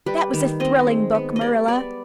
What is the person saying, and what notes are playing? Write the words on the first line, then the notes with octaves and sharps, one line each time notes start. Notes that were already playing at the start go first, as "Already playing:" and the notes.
That was a thrilling book, Marilla.
G3 B4
D#3
C4 D#5
G#3
B3
D#5
G3 D5
B3 D5